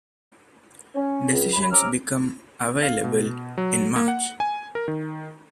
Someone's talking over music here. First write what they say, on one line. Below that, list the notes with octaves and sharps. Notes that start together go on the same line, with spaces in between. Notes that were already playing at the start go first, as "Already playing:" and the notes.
Decisions become available in March.
C#4
C#2
F#2 B5
C3 C#4 A#5 D6 E6 F6
F5
B2
F#3
A#3
F#5
G#5
A#4
D#3